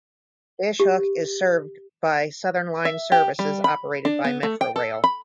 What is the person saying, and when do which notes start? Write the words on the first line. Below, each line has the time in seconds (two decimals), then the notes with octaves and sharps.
Fish Hoek is served by Southern Line services operated by Metrorail.
0.80 G4
2.85 E5
3.12 G4
3.39 G3
3.64 B5
4.05 D4
4.25 B3
4.43 A3
4.61 G5
4.76 A4
5.04 B5